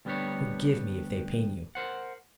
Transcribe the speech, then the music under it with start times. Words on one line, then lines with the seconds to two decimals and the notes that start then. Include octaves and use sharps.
Forgive me, if they pain you.
0.05 D2 G3 B3 D4 G4 C#5
1.75 A#4 C5 F#5